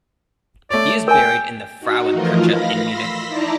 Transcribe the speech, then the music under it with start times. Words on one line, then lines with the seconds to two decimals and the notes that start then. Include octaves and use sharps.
He is buried in the Frauenkirche in Munich.
0.70 A3 C#5 D5
1.08 A#4 G5 G#5
1.79 D#4 F#4
2.13 E3 F3 A3 F4 A#4 D#5
2.47 F5 B5 A#6
2.87 B5 C6 E6 A#6 B6
3.26 D#4 E4 D5 A5 A#5